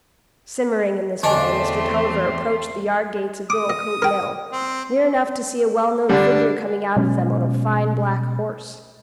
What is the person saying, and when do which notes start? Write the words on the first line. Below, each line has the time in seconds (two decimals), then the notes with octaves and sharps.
Simmering in this way, Mr. Tulliver approached the yardgates of Dorlcote Mill, near enough to see a well-known figure coming out of them on a fine black horse.
1.23 E2 D3 A3 C4 D4 D#5 G#5 C6
3.50 D6 D#6
3.70 D#5
4.02 A#4 G5
4.52 C4
6.09 D3 G3 D4
6.96 B2 F#3 G#3 C#4